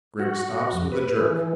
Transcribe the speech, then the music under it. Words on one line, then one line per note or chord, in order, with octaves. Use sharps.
Grim stops with a jerk.
F#4
F2
B4
E3